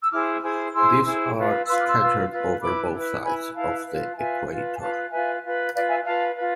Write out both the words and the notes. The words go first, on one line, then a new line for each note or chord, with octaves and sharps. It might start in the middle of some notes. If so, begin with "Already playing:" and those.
These are scattered over both sides of the equator.
E6
E4 G#4 C5 D6 F6
E4 G#4 C5
E4 G#4 C5 C6 E6
E4 G#4 C5
F4 B4
F4 B4 C6 E6
D6 F6
C6 E6
F4 B4
F4 B4
E4 B4 B5 D6
E4 B4
E4 B4 G#5 B5
E4 B4 F5 A5
F4 B4
A5
F4 B4 E5 G#5
F4 B4
G#5
F4 B4 F5 A5
F4 B4 E5 G#5
F4 B4
F4 B4 D5 F5
E5 G#5
F4 B4 F5 A5
F4 B4